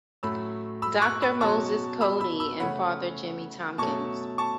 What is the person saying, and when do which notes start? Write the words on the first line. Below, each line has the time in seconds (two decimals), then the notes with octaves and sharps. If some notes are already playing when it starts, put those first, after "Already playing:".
Doctor Moses Coady and Father Jimmy Tompkins.
0.23 A2 F#3 A3 C#4 B5 E6
0.82 B5 E6
1.02 C#6 F#6
1.22 B5 E6
1.41 B2 F#3 C#4 A5 C#6
2.01 B5 E6
2.21 B5 E6
2.40 B5 E6
2.60 C#3 A3 C#4 F#5 B5
3.78 B2 F#3 A3 C#4 A5 C#6
4.38 A5 C#6